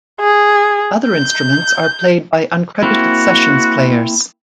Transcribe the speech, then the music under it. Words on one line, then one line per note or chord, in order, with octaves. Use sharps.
Other instruments are played by uncredited sessions players.
G#4
G6
A#3 C4 E4 F#4